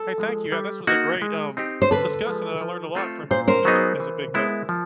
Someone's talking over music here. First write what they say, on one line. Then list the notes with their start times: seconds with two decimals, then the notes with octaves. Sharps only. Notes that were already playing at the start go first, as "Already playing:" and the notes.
Hey, thank you, yeah, this was a great, um, discussion, and I learned a lot from you. It was a g it was a big help.
Already playing: A4
0.18 F3 G#3
0.52 G3
0.87 A#3 D#4 F#4
1.22 G#3
1.57 C4 D#4 G4
1.82 C5
1.91 D3 A4 B4
2.27 F3 G#3
2.61 F3
2.95 A3 C4 F4 A4
3.31 A#2 C5
3.47 A#4 C5
3.65 F#3 B3 D#4 G#4
4.00 E3
4.34 G#3 B3 E4
4.69 F3